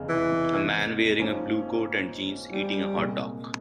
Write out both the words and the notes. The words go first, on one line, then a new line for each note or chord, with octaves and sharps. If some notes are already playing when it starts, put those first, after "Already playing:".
A man wearing a blue coat and jeans eating a hotdog.
Already playing: F1 E2 C#3
E3
G#2 F3 A#3 C#4
G3
C2 A#2 G#3